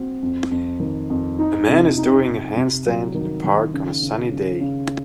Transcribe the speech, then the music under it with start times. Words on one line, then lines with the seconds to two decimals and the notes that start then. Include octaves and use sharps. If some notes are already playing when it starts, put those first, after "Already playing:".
A man is doing a handstand in a park on a sunny day.
Already playing: C4 F#4
0.22 F2
0.51 F2
0.80 D#3
1.10 F2
1.39 D#4
1.68 C3
1.97 D#4
2.26 D#4
2.56 C3
2.86 F#3
3.14 D#3
3.44 D#3
3.73 C#3
4.02 C#3
4.31 C#3
4.60 C#3